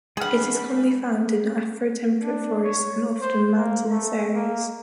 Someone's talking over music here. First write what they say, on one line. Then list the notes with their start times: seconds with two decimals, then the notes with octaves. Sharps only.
It is commonly found in afro-temperate forests and often in mountainous areas.
0.17 E3 G#3 D4 G#4 B4 F#5 F6
2.23 D4
2.63 C#5
3.20 C5
3.56 A#3
3.91 A3
4.34 A#3